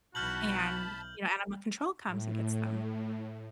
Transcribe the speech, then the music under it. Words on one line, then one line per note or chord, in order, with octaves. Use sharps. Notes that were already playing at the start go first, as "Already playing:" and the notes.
and, you know, animal control comes and gets them.
B1 E3 F#4 A5 B5 F6 G6 F#7
A2